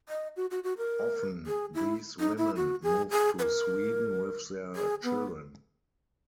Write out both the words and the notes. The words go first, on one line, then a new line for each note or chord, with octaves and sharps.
Often these women moved to Sweden with their children.
D#5
F#4
F#4
F#4
A#4
G#4
E4
D#4
E4
F#4
G#4
G#4
B4
A#4
G#4
B3